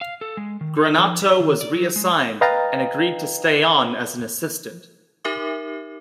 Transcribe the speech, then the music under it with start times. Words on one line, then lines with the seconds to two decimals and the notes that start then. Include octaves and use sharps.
Granato was reassigned and agreed to stay on as an assistant.
0.01 F5
0.21 A4
0.37 G#3
0.61 D#3
0.77 D#4
0.99 F3
1.22 G4
1.40 D#3
1.61 D5
1.75 F#3
1.96 G#3
2.41 B4 D#5 F5 G5 A#5 A6
5.25 D#4 G4 A#4 E5 D6